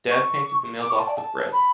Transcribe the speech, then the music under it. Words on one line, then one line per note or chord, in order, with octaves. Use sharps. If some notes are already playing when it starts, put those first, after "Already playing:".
Dad painted the mailbox with red.
C#6
D6
C#6
A5
D5
A5
B5